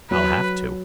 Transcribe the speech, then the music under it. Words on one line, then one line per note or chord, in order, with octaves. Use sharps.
I'll have to.
F#3 B4